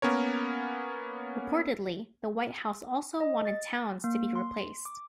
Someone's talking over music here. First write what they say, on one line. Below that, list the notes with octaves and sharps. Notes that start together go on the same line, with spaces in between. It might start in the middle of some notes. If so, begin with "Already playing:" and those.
Reportedly, the White House also wanted Towns to be replaced.
A#3 B3 C#4 A#4 C#5
D#5
A6
A#3
C6
D6